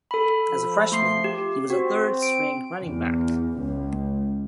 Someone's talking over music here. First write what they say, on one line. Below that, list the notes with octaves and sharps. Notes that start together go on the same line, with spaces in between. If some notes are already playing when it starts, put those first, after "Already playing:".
As a freshman, he was a third-string running back.
A4 B5
F3
A3 C6 C7
G4
C4 F#4
D7
E2
C#2